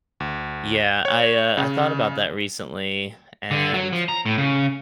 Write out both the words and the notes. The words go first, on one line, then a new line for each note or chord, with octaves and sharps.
Yeah, I, uh, I thought about that recently, and,
D2
C#5
C#3
D3
F#3
F3
A#5
A2
C#3